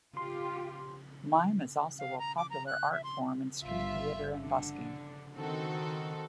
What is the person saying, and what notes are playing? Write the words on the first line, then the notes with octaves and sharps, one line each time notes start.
Mime is also a popular art form in street theatre and busking.
F4 G4 C6
F5
A#5
D6
A#5
F#6
E5
C6
G1 F4 E5
D3
D#3 C4 F#4 A4